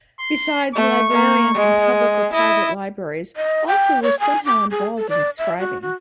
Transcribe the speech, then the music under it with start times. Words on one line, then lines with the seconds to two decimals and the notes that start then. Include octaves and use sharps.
Besides, the librarians in public or private libraries also were somehow involved in scribing.
0.20 C6
0.75 A3 C#6
1.11 A#3
1.55 G#3
2.34 E4 D#5
3.37 D#5
3.68 G5
4.03 C#5
4.20 G#5
4.46 D6
4.71 G#4
4.98 A4
5.09 D5
5.38 E5
5.59 F#4
5.82 F#4